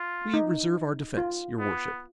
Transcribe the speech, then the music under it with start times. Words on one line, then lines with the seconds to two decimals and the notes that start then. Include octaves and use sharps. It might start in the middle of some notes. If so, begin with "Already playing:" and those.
"We reserve our defence, your worship."
Already playing: F4
0.34 D#4
1.17 F4
1.59 B3